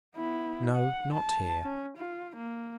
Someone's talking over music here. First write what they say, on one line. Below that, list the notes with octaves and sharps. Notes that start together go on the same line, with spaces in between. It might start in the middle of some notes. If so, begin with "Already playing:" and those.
No; not here.
B3 E4
F#5
A5
C#4
F4
A#3